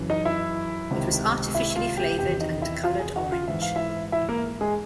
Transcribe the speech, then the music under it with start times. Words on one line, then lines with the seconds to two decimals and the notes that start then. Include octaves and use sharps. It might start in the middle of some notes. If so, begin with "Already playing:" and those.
It was artificially flavoured and coloured orange.
Already playing: F#2 C#3 E3
0.10 D#4 D#5
0.25 E4 E5
0.91 C#2 C3 D#3
1.55 E4 E5
1.76 F4 F5
1.97 G4 G5
2.19 E2 C3 D#3 G4 G5
2.40 D#4 D#5
2.62 E4 E5
2.83 F4 F5
2.99 G#4 G#5
3.16 F#4 F#5
3.32 F4 F5
3.48 G#2 E3 E5
3.62 F5
3.76 E4 E5
4.12 E4 E5
4.29 A#3 A#4
4.61 G#3 G#4